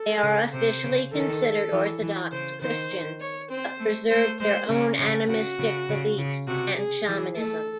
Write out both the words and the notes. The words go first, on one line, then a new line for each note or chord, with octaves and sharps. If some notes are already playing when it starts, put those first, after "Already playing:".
They are officially considered Orthodox Christians, but preserved their own animistic beliefs and shamanism.
Already playing: A4
C#3
C3 C5
C#3
D#3 A4
E3
E3
C#3 C5
D#3 C5
D#3
C#5
C4 C5
A3
A3 C5
G#3 C5
C#3 C#4
C#3
C#3 F#4
C#3
C#3
C#3
C3 F#4
G#4
E3
A3 A4